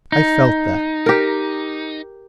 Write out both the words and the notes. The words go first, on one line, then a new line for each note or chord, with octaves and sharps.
I felt that.
D#4
G4 A#4